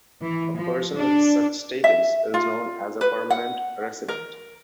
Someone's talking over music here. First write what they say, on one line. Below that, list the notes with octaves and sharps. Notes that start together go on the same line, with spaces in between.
A person with such status is known as a permanent resident.
E3
F3
D4
E5
F4
B4
F#5
A#4